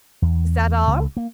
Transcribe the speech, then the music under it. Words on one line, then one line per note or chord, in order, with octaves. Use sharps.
"Is that all?"
E2
C#2
A#3